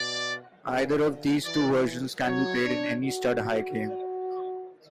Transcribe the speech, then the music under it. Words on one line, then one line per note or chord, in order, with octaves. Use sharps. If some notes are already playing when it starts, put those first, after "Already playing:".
Either of these two versions can be played in any stud high game.
Already playing: B2 D5
C#3
D3
E3 D5
F#3 C#5
D4
F#4